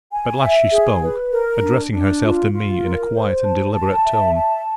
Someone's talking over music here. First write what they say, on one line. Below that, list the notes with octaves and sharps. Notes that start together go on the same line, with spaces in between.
At last she spoke, addressing herself to me in a quiet and deliberate tone.
G#5
E5
G#4
B4
A#4
D4
D4
F4
F4
A#4
C5
A5
A5
E5
A5